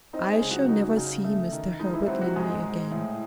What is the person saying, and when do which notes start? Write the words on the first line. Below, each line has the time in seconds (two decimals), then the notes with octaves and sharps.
"I shall never see Mr. Herbert Linley again."
0.13 C4 D#4 D#5
0.32 G#3 G#4
0.41 C#3
0.51 F#3 F#4
0.69 F#3 D#4
0.97 C#3
1.24 A3
1.53 D#3
1.80 G#3 D#4
1.93 E3 E4
2.07 F#3 C4 F#4
2.21 F#3 F#4
2.36 G#2 G#3 G#4
2.63 G#2
2.92 A2